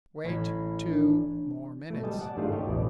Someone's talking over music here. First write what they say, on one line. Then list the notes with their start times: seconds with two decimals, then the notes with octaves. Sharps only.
"Wait two more minutes."
0.24 A1 B5 G#6
0.88 D4
1.90 B2 A3
2.03 G3 D#5 G#5 A5
2.19 D5 F#5 A5
2.37 G2 D#3 G3 A3 F4 G#4
2.52 G4 C#5 D#5
2.66 A1 E2 B2 D5